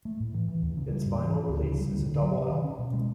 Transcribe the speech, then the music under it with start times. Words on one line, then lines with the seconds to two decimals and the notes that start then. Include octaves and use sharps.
Its vinyl release is a double album.
0.05 A3
0.20 A2
0.34 E3
0.48 E3
0.62 D#2
0.77 C#3
0.92 G3
1.06 G#2
1.20 E3
1.34 F3
1.49 D2
1.63 C#3
1.78 G3
1.93 D2
2.06 D3
2.21 F#3
2.36 C3
2.50 D#3
2.64 C#4
2.79 B2
2.93 G#3